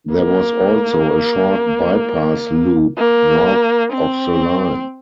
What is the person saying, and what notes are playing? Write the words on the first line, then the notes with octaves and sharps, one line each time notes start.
There was also a short bypass loop north of the line.
A#3
A#3
C4